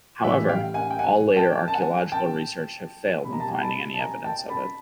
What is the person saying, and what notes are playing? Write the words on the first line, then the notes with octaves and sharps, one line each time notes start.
However, all later archaeological research have failed in finding any evidence of it.
A2 E3 G3 E5 F#5
F5 G5
F#5 G#5
G5
F#5 G#5
G5 A5
A5
F#5 G#5
G5 A5
B2 G3 B5
A#5
A5
G#5 A#5
A5 B5
A5
G#5 A#5
G5 A5
A5 B5